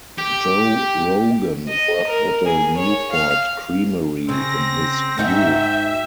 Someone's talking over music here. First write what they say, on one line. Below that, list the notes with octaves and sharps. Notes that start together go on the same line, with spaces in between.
Joe Rogan worked at a Newport Creamery in his youth.
G4
D#5
A#4
G#4
C#5
F5
C#3 C4 A#6
G#2 D#4 F#4 E5 G5